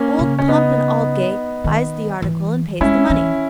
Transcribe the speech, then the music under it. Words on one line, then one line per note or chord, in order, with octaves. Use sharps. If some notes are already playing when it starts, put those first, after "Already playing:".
Old Pump and Aldgate buys the article and pays the money.
Already playing: A#3 C#4
C#3
C#4
B3 D#4
D#3
E3
G#3 C#4 E4
E3